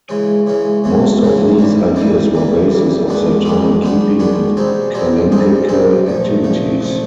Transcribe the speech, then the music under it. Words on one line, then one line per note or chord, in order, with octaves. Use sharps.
Most of these ideas were basis for their time keeping and calendrical activities.
C#3 E3 G#3 C#4
C#3 E3 G#3 C#4
C#3 E3 G#3 C#4
C#3 E3 G#3 C#4
E3 G3 A#3
E3 G3 A#3
E3 G3 A#3
E3 G3 A#3
D#3 G#3 B3 D4 F#4
D#3 G#3 B3 D4 F#4
D#3 G#3 B3 D4 F#4
D#3 G#3 B3 D4 F#4
B2 G3 C4 D#4 G#4
B2 G3 C4 D#4 G#4
B2 G3 C4 D#4 G#4
B2 G3 C4 D#4 G#4
A#2 F3 A3
A#2 F3 A3
A#2 F3 A3